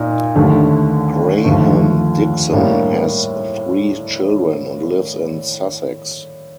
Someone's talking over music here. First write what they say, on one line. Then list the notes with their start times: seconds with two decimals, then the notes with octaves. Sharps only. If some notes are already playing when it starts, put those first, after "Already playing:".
Graham-Dixon has three children and lives in Sussex.
Already playing: A#2 D#4
0.35 D#2 D3 A3
1.44 D#2 D3 F3 A3
2.53 A2 G3 A#3 D4